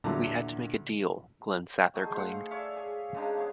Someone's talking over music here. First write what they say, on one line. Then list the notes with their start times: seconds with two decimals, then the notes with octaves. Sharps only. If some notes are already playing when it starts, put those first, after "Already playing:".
"We had to make a deal," Glen Sather claimed.
0.04 E2 A#2 D3 F#3 A5 A#5
1.94 F#3 A3 D#4 G#4
2.14 C5 F5 F#5
2.51 C#5 D5 E5 F5
2.77 G#4
3.14 C#3 G#3 D4 D#4
3.37 B3 G#4 C#5